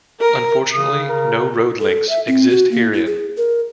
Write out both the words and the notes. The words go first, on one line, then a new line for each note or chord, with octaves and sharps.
Unfortunately, no road links exist herein.
A#4
C#3 D#6
A#4
A4
E5
C4
F#4
A#3
E4
G#4
A#4